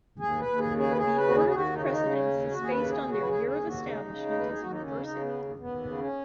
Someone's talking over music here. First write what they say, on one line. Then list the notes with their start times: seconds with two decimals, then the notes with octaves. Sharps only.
The order of precedence is based on their year of establishment as a university.
0.19 D#2 G#4
0.39 B4
0.46 D#2
0.58 G#4
0.71 C#3
0.77 G#4
0.90 B4
0.97 C#3 G#4
1.16 B4
1.23 D#2
1.28 F#4
1.35 G#4
1.48 D#2 G#4
1.54 F#4
1.74 C#3 D#4
1.82 F#4
1.90 D#4
2.00 C#3
2.12 C#4
2.25 D#2
2.51 D#2 F#4
2.63 G#4
2.70 B4
2.77 C#3
2.90 G#4
3.02 C#3
3.08 F#4
3.21 B4
3.28 D#2 G#4
3.47 G#4
3.54 D#2
3.67 F#4
3.80 C#3
3.86 D#4
4.05 C#3
4.31 D#2
4.39 B4
4.50 G#4
4.56 D#2 F#4
4.71 D#4
4.82 C#3 C#4
5.01 D#4
5.08 C#3
5.21 B3
5.34 D#2
5.59 D#2 B3
5.85 C#3
5.98 C#4